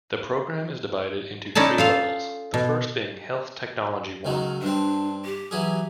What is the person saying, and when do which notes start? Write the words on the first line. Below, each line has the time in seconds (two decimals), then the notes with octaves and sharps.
The program is divided into three levels, the first being Health Technology One.
1.55 C#4 D#4 E4 D5 A5
1.78 F4 A4 F5
2.54 B2
4.25 C#2 D#3 F#3
4.62 G2 C4 D4
5.25 G4
5.51 E3 F#3 G#4